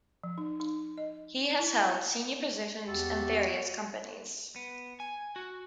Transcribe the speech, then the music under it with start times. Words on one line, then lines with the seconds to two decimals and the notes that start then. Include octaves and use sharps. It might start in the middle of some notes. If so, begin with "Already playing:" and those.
He has held senior positions in various companies.
0.24 F3
0.38 D#4
0.60 D#4
0.98 D#5
1.59 E4
2.88 E2 F#4 G4 A4
4.56 B3
5.00 G#5
5.36 F#4